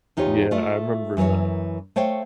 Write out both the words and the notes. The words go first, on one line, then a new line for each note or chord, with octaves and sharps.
Yeah, I remember that.
E2 D#4 F4 G4 C#5
A3 F4
F#2 E3 D#4 A#4 C#5
A3 C5 C#5 F5 G5